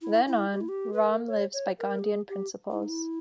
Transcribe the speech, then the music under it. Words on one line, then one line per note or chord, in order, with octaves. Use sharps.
Then on, Ram lives by Gandhian principles.
E4
E4
G4
E4
G4
B4
A#4
C#5
C#5
A#4
G4
G#4
G4
E4
D#4
E4